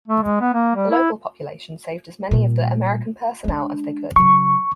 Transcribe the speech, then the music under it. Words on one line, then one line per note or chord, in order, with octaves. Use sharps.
The local population saved as many of the American personnel as they could.
A3
G#3
B3
A#3
G3
E4
A#2 G3
G#3 D4
C#3 F#3 C#6